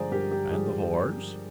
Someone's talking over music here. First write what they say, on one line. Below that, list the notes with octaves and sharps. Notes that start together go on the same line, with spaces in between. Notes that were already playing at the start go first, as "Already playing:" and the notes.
"And the horse?"
Already playing: G2 D3 F3 G#3 G#4 C5 D5 A#5
G2 G4 A#4
G4
D3 F3 G#3 G#4